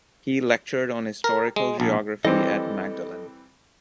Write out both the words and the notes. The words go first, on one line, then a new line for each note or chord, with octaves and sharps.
He lectured on historical geography at Magdalen.
A#4
G#3
A#1
E3 G3 C4 A4 D#5